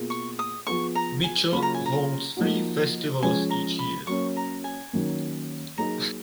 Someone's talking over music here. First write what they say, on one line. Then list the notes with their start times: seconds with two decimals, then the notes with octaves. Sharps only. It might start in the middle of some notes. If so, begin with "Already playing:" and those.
Mitchell holds three festivals each year.
Already playing: B2 A#3 F4 G#4
0.10 C#6
0.39 D#6
0.67 F3 B3 F4 G#4 C#6
0.95 A#5
1.24 G#5
1.52 C#3 F#3 A#3 C#4 F4 B5
1.62 A#5
1.74 G#5
1.86 A#5
2.37 F3 A#3 D#4 F#4
3.22 F3 G#3 C#4 G#5
3.50 A#5
3.79 B5
4.07 F#3 A#3 C#4 C#6
4.36 A#5
4.64 G#5
4.93 D#3 F#3 A#3 C#4
5.77 F#3 A#3 D#4 G#4 A#5